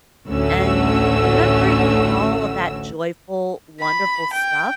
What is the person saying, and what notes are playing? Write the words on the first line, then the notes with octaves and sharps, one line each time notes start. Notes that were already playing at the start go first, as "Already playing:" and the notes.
and remembering all of that joyful, wonderful stuff
A1 D2 A3 C#4 F#4 E6
B5
G5